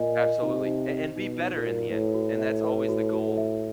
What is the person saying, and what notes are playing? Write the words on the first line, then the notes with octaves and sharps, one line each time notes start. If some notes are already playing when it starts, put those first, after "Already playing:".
Absolutely, a and be better in the end, and that's always the goal,
Already playing: A#2 D#5 G#5
D#5
C3 D#4
D#4
D#4
B2 D#4
D#4
A#2
F#4
A2 B4
F#4
E5
B4
F#4
F#4
E5